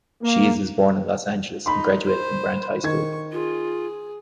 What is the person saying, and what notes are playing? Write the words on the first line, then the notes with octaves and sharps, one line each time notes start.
Shields was born in Los Angeles and graduated from Grant High School.
A#3
D#4 B5 C6
C5
D#3 C#6 G#6
F4 G#4